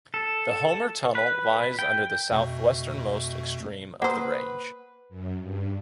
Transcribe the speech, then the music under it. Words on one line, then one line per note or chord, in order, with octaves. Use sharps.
The Homer Tunnel lies under the southwesternmost extreme of the range.
A4
B4
G5
F2 B2 A3
A#3 B4 C5 F#5 D#6
F#2
G2